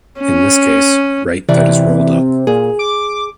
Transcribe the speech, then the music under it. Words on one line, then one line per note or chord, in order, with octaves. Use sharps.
In this case, write that is "rolled up".
C#4
C3 E3 D5
A#2 G#4
D6